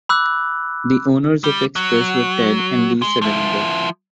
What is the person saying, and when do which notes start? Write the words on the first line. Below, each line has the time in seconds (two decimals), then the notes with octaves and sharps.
The owners of the Express were Ted and Lisa Lavender.
0.09 B5 D6 E6 F#6
1.44 G3
1.76 F#3
3.02 G#3
3.22 F3 E4